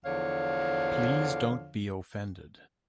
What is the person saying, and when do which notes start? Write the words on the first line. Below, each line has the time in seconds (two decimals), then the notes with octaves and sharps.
Please don't be offended.
0.05 E2 D3 F3 C#5 F5